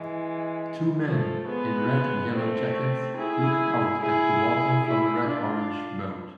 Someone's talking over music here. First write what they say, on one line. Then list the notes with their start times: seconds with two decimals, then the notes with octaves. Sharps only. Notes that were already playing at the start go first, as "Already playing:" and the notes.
Two men in red and yellow jackets look out at the water from a redorange boat.
Already playing: E3 G#3
1.05 F3 A3
1.47 G#3 B3
2.32 A3 C4
3.16 E4 G#4
4.00 E4 G#4
4.85 E4 G#4
5.27 D4 F4